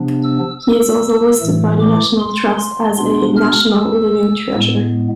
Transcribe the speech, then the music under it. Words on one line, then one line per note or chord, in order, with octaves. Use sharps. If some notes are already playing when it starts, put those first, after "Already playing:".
He is also listed by the National Trust as a "National Living Treasure".
Already playing: C3 F3 B3 D4
E6
E6
A2 E3 A3
D6
C6
C6
B2 B3 D4 C6
F6
E6
A2 G#3 B3